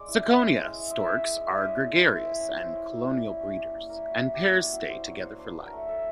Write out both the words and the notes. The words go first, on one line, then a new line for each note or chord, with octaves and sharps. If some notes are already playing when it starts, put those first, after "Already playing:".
"Ciconia" storks are gregarious and colonial breeders, and pairs stay together for life.
Already playing: G#3 D5
E4
G#3
C#4
G#3 D#5
E4
G#3 E5
C#4
G#3 D#5
E4
D#5
G#3 D5
C#5
C#4
G#3
E4
G#3
C#4
E4 C5
C#4
G3
A#3
E4
C#4
G3
A#3
E4 A#4
C#4 F#4
G3
A#3 G4
E4 F#4
C#4 F#4
G3 C5
A#3 C#5
F#3 C5
D4 C5
B4
F#3
A#4
A3
F#3 A4